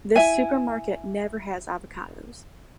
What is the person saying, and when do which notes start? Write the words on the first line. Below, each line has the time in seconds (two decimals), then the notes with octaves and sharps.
This supermarket never has avocados.
0.16 E4 E5 G#5